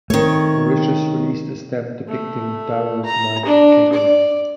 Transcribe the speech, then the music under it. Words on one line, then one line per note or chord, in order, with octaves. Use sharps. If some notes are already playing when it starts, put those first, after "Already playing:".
Mauritius released a stamp depicting Durrell's night gecko.
D#3 A3 C4 C#5
A3
A#5
D4
D5